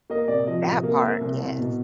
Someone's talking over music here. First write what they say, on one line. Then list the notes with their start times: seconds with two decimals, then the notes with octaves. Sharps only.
That part, yes.
0.10 A#3 D#5
0.28 C3 D5
0.47 F3 D#5
0.65 C3
0.83 A#3
1.02 A#3 E5
1.21 C2
1.39 C2
1.58 B2